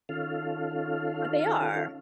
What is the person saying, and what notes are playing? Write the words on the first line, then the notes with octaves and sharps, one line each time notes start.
But they are.
D#3 C#4 F4 A4 F5